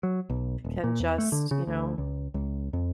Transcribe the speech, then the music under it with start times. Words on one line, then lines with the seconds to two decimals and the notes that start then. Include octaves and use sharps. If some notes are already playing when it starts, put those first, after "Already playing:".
can just, you know,
0.03 F#3
0.30 B1
0.64 D#1
0.84 A#2
1.00 E2
1.18 A3
1.32 D3
1.51 C#3
1.67 D2
1.98 C#2
2.34 C#2
2.73 F2